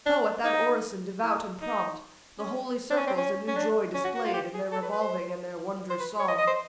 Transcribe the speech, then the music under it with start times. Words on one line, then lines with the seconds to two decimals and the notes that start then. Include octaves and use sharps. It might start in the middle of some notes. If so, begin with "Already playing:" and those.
So, at that orison devout and prompt, The holy circles a new joy displayed In their revolving and their wondrous song.
0.06 D4
0.44 D#4
1.22 E4
1.62 D#4
2.39 C#4
2.91 D4
2.98 C#4
3.07 C4
3.17 C#4
3.48 C#4
3.56 D4
3.95 C#4
4.04 F#4
4.15 F#4
4.24 F4
4.34 G4
4.54 G#4
4.72 A4
4.82 B4
4.92 B4
5.01 C5
5.90 C5
5.99 B4
6.19 C#5
6.28 D#5
6.38 D#5
6.47 C5